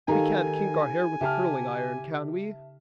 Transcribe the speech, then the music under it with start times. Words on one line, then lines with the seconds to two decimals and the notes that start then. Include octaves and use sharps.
We can't kink our hair with a curling-iron, can we?
0.08 D#3 D#4 G4 A4 F5 G#5 A#5
1.21 C#3 G4 E5 A5 F6